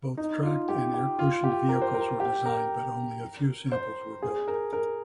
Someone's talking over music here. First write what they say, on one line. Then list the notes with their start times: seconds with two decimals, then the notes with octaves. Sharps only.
Both tracked and air-cushioned vehicles were designed, but only a few samples were built.
0.17 D#4
0.43 F4
0.69 G4
0.94 G4
1.19 F4
1.44 G4
1.69 A#4
1.82 C5
1.94 A#4
2.20 G4
2.46 A#4
3.72 C5
4.22 G#4
4.48 A#4
4.73 A#4